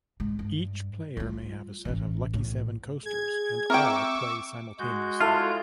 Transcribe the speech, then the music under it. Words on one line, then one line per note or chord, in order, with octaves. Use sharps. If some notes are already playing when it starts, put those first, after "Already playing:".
Each player may have a set of Lucky Seven coasters and all play simultaneously.
G#2 G#3
G2
G3 F4
A1 E3
B1 A2
G#4 G#6
C4 A#4 E5 G5 C#6 D6 E6
G#3 F#4 G6
E4 F4 A4 F6